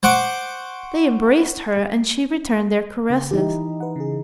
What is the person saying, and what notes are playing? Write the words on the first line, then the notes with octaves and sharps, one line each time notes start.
They embraced her and she returned their caresses.
C5 F#5 C#6 D6
C#3
E3 D#4 E4 G4
B4 F#5
C#3 G#4